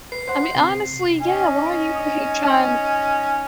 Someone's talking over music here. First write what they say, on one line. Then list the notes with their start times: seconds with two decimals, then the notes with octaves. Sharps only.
I mean, honestly, yeah, why are you over here trying
0.12 B4 C7
0.28 C5 F#5 C6
0.56 C3
1.20 C#4 D#4